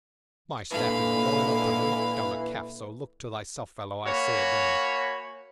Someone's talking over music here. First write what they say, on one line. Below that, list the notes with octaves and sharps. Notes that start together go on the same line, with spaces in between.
"My staff is long enough to knock down a calf; so look to thyself, fellow, I say again."
A#2 D3 E3 G#3 F5 B5
A#3 F#4 C#5 G#5 B5